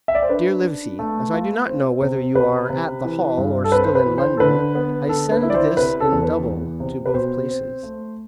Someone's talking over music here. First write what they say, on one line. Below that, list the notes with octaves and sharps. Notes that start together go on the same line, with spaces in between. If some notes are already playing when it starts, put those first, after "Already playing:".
Dear Livesey--As I do not know whether you are at the hall or still in London, I send this in double to both places.
E5
D5
C5
D4 B4
D4
A3
F4
C4
C3
C3 B4
C3
E3
G2
A4
C4 B4
C5
B4
E3
C5
A4
D3 B4
B3
D3 A4
B4
E4
D5
C5
C3 B4
A4
E2
B4
E2
C3
B4
B2 C5
C4
A3